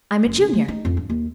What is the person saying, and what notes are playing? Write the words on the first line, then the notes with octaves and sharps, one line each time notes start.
I'm a Junior.
F#1
C#3
A3
D#4
F2
G2
D#2